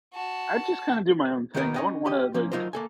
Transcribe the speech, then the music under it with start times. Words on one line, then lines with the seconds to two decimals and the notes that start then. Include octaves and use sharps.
I just kinda do my own thing. I wouldn't wanna, like
0.13 F#4 A5
1.55 D#3 A#3 B3 D#4 F4 A#4
1.74 C#4 D#5 G5
2.06 G4 D#5
2.34 F3 A#3 C#4
2.52 F#3 D#4 F4 A#4 C5
2.73 A#3 A4 G#5